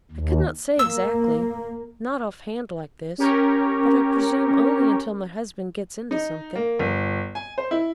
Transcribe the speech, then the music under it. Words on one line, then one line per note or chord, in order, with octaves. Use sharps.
"I could not say exactly--not off-hand like this--but I presume only until my husband gets into something."
D#2
A#3 E6
C#4 G4 A#4 C#5
D#4
A#3
G1
G#5
C5
E4